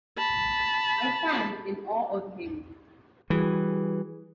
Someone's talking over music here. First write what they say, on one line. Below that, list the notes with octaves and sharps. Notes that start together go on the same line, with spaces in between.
I stand in awe of him.
A5 B5
E3 G3 F#4 G#4